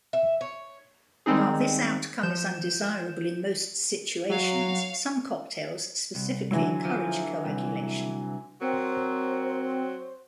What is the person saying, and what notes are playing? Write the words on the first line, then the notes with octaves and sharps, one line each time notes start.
While this outcome is undesirable in most situations, some cocktails specifically encourage coagulation.
E5
C#5
D#3 G3 G#3 C4 D#4 G#4
F3 G6 E7
F#3 C#5 F5
C2
D3 E3 F#3
F3
C2
F#3 C4 A#4 C5